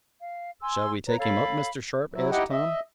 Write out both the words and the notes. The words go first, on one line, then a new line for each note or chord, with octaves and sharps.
"Shall we take him up, Mr. Sharp?" asked Tom.
F5
G#5 C6 E6
B4 C#5 A#5
A4 C#5 F5 B5
F#3 E4
D#4 E4 G4 D#5 F#5 G5
D#5 E5